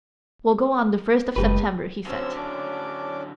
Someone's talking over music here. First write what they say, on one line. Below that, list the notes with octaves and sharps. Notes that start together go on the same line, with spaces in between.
"We'll go on the first of September," he said.
F#1 G#3 G4 B4
D3 F#3 C4 C#4 E6
C#4 D4 D6